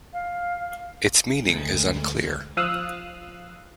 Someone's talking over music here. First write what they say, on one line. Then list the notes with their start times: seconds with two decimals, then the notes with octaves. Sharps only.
Its meaning is unclear.
0.13 F5
1.43 D2 G#3
2.57 F3 F5 D#6 E6 F#6